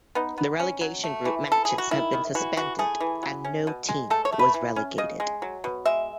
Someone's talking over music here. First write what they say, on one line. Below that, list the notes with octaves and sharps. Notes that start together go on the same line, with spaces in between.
The relegation group matches have been suspended and no team was relegated.
B3 D#4
B3
C#4
F#3
A3
E3
E3 A4
E3 G#4
F#4
D#3 E4
D#3
E3 F#4
E3 F#4
A3 G#4
E3
F#3
C#4
B2
G#3
A3 A4
C#5
A3
B4
E3
C#4
C#3 D#5
G#3
F#3
B2
G#3 E5